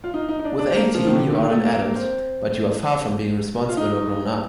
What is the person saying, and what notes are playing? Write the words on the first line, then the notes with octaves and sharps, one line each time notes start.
With eighteen you are an adult, but you are far from being responsible or grown up.
F4
D#4
D#4
D#4
D4
D4
C4
A#3
F3
D#3
D3
D3
D#3
A3
A#3
A#3
C4
F4
D#4